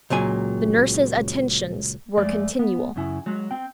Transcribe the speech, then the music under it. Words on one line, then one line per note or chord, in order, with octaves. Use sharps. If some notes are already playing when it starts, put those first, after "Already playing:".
The nurses' attentions were continual.
C#2 A#2 F#3 G#5
F2 G#3 A3 D5
B3
F#2 C#3 E4 G#5
F#3 G#3
C4 G5